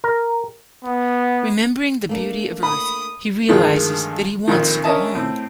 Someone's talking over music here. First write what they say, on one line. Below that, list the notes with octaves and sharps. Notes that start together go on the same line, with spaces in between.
Remembering the beauty of Earth, he realizes that he wants to go home.
A#4
B3
A3 A#3 D4
B5 D#6
G2 D3 D#3 F3 G#3 A3
A#1 F2 D#3
C#4 D4 A#4 D#5 E5 A5
A2 C4